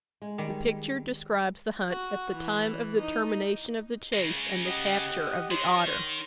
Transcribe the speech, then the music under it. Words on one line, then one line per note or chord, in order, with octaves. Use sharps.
The picture describes the hunt at the time of the termination of the chase and the capture of the otter.
G#3
D#3 G3
F#4
E3
D#4
C#3 G#3
G4 D#5 F#5
D#3 C#5 C6